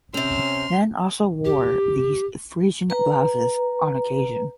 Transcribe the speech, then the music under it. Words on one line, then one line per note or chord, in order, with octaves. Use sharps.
Men also wore these "Frisian blouses" on occasion.
C3 C4 C#4 C6 F6
G4
B4 A#5